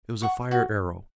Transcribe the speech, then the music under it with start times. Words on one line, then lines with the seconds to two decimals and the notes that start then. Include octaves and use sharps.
It was a fire-arrow.
0.22 F#5 C#6
0.51 F#4